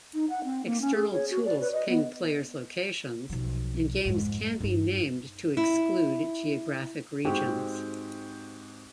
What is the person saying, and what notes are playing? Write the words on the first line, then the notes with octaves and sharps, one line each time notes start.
External tools ping player's locations, and games can be named to exclude geographic regions.
D#4
F#5
C4
A#3
C#4
G#4
C#5
F#4
D5
B4
D#5
B3
B1 F3
F2 G#2
G2 D#4
E4
G#2 G#3 C4 F#4 G4 G5